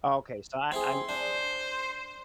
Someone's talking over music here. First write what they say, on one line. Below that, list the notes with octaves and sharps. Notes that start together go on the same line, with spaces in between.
Okay. So I I
C4 E4 G#4 C6
D4 C5